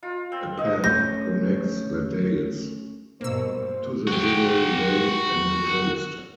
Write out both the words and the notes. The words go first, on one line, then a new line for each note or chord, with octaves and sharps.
A path connects the Dales to the Wirral Way and the coast.
F4
C4
D#5
A3 C#4 G6 A#6
G2 B2 A#3 C5 E6
A#2
F#4 G5